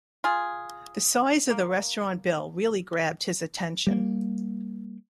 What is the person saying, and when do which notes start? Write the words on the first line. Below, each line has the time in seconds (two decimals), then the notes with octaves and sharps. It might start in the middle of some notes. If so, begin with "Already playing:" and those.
The size of the restaurant bill really grabbed his attention.
0.24 F4 G#4
1.50 A#3
3.87 G3 A#3